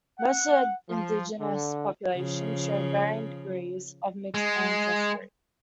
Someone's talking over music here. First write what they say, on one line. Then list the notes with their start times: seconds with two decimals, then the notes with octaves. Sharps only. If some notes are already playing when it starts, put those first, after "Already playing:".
Most of the indigenous population show varying degrees of mixed ancestry.
0.19 F#5
0.90 F3
1.40 D3
2.13 C#3 F3
4.34 G#3